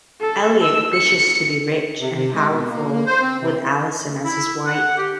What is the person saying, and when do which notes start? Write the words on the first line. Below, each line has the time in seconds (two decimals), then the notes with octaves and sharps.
Elliot wishes to be rich and powerful, with Alison as his wife.
0.21 A4
0.62 E6
0.93 C#7
2.00 C3
2.15 C3
2.34 G#3
2.49 B2
2.70 A#3
2.92 A#3
3.06 C5
3.22 C4
3.41 C3
4.25 E4
4.66 F#5
4.98 G4